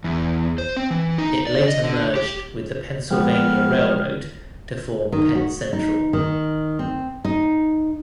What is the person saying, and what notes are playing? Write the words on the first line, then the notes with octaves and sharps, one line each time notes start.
It later merged with the Pennsylvania Railroad to form Penn Central.
E2
C5
C4
E3
D#4
D5
D#5
D3
G4
F3 G#3 B3 G5 F6
D#3
F#4
D#4
D#3
C4
D#4